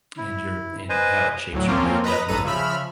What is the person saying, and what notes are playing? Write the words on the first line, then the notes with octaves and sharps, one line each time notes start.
and your and how it shapes your mood, definitely.
E4
B4 C5 D#5 G#5
D2 A2 F#3
F3 A#3 C4 C#4 F4
B4 D#5 A#5 B5
A1 G2 A4 B4 A#5 D#7
C#3 F3 E5 B5 F6